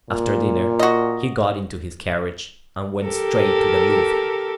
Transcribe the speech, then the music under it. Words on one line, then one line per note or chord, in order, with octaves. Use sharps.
After dinner, he got into his carriage, and went straight to the Louvre.
A#2
F#4 D#5
G4 A4 A#4